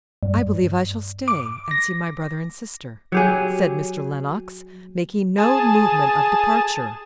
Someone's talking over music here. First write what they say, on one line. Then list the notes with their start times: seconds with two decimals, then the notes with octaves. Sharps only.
'I believe I shall stay and see my brother and sister,' said Mr. Lennox, making no movement of departure.
0.23 G2
1.28 D6
1.71 A#6
3.12 F#3 G4 G#4
5.38 G#4 A5